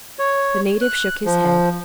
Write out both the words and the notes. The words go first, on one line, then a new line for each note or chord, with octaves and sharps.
The native shook his head.
C#5
F#6
F3